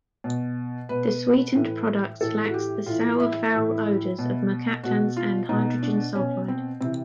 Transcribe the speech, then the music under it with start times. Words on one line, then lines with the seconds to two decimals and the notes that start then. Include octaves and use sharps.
The sweetened products lacks the sour, foul odors of mercaptans and hydrogen sulfide.
0.24 B2
0.89 B2 B4
1.55 A2 E3
2.21 A2 E3 A4
2.48 F#4
2.54 G4
2.86 A2 E3 F4
3.20 E4
3.52 A2 E3
4.19 B2
4.83 B2 F#4
5.17 F4
5.49 B2 D#4
5.83 D4
6.15 B2 C#4
6.48 C4
6.81 C3 E3 C4